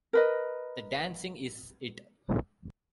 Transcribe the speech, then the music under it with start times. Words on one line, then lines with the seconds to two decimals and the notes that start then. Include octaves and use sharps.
The dancing is it.
0.13 A#4 B4 D#5